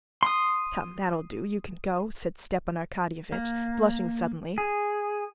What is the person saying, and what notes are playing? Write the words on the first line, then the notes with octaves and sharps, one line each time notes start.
"Come, that'll do, you can go," said Stepan Arkadyevitch, blushing suddenly.
C6 D#6
A#3
G#4